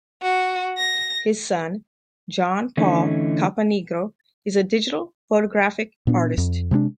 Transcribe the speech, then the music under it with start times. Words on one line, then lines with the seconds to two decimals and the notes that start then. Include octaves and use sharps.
His son, John Paul Caponigro, is a digital photographic artist.
0.22 F#4
0.78 A#6
2.77 D3 E3 A3 C#4 D#4
6.07 A#2 B3 D4
6.38 F2
6.71 C3 G#3 B3 D4